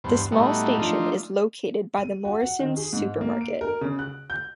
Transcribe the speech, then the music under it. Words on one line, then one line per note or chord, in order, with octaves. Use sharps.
The small station is located by the Morrison's supermarket.
E2 G2 B3 C5
A2 G3 A3 B3 D#4 F#4
F3 A3 D4 D#4 F4
D#7
F#4
F#5
D#3
G#4
G#2
A#3
D7
A#4
C#3
F#6
G6